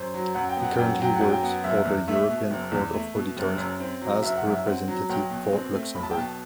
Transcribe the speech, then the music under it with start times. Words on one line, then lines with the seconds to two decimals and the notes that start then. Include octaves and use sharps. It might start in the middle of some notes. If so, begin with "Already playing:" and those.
He currently works for the European Court of Auditors as representative for Luxembourg.
Already playing: F#2 C5
0.14 F#3
0.34 F#2 F#5
0.49 G5
0.57 B3
0.63 F#5
0.76 F#2 G5
0.89 F#5
1.00 F#3 G5
1.16 F#5
1.21 F#2
1.30 G5
1.43 B3 F#5
1.64 F#1 E5
1.85 E2
2.08 A3 E5
2.28 B2
2.51 F#1
2.72 E2
2.94 A3
3.15 B2
3.37 F#1
3.58 F#2
3.80 C4
4.01 F#3
4.23 F#1 E5
4.37 F#5
4.45 F#2 E5
4.66 C4 F#5
4.88 F#3
5.09 B1 G5
5.30 B2
5.53 C4
5.74 A3
5.95 B1 B5
6.03 A5
6.11 G5
6.17 B2 A5